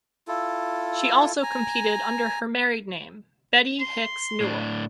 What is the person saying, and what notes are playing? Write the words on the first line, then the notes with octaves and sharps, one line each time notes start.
She also competed under her married name, Betty Hicks Newell.
E4 F4 A4
G#5 A#5
C6
A2 D4